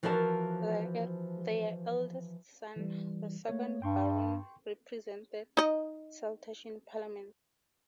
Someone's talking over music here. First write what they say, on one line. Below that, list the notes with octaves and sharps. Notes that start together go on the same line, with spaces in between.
Their eldest son, the second Baron, represented Saltash in Parliament.
E3 F3 F#4 A#4 F5 A5
E3 G3
A3 A#3 C#5
G2 G5 C6 C#6
D#4 D#5